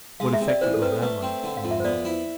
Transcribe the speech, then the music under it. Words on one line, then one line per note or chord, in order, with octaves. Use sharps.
What effect it will have, I know not.
G#3 F5
E5
C3
D5
E3 C5
A4
C3 B4
A4
A3 B4
C4
D3
F5
F2
E5
C5
B3 D5
E4